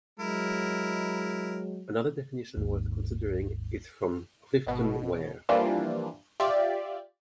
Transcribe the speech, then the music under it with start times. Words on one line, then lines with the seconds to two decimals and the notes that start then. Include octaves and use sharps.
Another definition worth considering is from Clifton Ware.
0.20 F#3 G#3 E4 A#4
2.57 G#1 D#2 G#2
4.67 G#1 B2
5.49 E3 F3 G3 A#3 D4 F4
6.40 F4 G4 D5 E5